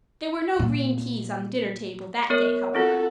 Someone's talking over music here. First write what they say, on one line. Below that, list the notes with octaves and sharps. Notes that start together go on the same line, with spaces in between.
There were no green peas on the dinner table that day, however.
A#2
B3 A#4 C#5
C4 F4 F#4 A4